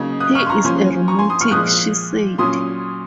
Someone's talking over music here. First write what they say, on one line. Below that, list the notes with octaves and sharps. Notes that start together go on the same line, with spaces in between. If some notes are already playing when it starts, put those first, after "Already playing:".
"He is a romantic," she said.
Already playing: C#3 F#3 A#3 D#4
D#6 F#6
C#6 F6
C6
A#5 C#6
F3 A#3 C#4 G#5 C6
A#5 C#6
G#5 C6
C6 D#6
C#6 F6
A#2 F3 G#3 D#6 F#6
A#2 F#3 C#4 C6 D#6